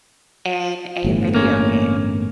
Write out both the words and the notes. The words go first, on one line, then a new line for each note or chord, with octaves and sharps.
in a video game.
G1 A2 E3
A#3 C#4